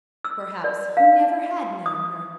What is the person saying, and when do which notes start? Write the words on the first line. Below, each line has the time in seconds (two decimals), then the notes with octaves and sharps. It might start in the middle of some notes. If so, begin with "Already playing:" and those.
Perhaps he never had known her.
0.25 E6
0.64 D5
0.97 F5
1.86 D#6